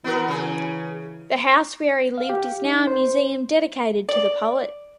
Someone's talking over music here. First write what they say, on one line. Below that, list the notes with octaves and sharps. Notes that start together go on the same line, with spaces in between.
The house where he lived is now a museum dedicated to the poet.
E3 B3 F#4 A#4
C#3 G#4
F5
G4
D#4
C5
D5